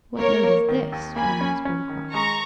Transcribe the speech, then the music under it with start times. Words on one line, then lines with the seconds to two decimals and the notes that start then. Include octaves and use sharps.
"What note is this?" drawing his bow across.
0.19 A#3 A#4 C#5
0.44 A#3
0.68 D#3
0.92 D#2
1.16 A#3 G#5 B5
1.41 C#4
1.65 C#4
1.89 D#3
2.14 G#3 A#5 C#6